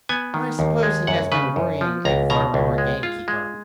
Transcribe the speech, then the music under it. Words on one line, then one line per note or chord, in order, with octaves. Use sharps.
"I suppose he has been worrying a farmer or a gamekeeper."
B3 G#5
D#3
D#2
G#3
F#2 F#5
C#3 B4
F#2
F3
C#2 A#5
B2 A#5
C#2
G#3
F4
G#3